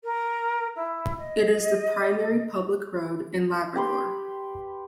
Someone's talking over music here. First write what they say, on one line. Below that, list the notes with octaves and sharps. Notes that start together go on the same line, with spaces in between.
It is the primary public road in Labrador.
A#4
E4
D#5
G4 B4 C6